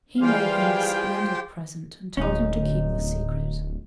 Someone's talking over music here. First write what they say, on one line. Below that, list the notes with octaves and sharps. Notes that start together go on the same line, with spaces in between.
He made him a splendid present, and told him to keep the secret.
E3 G3 F4 G4 G#4 C5 F5 G5
D1 C#4 D#4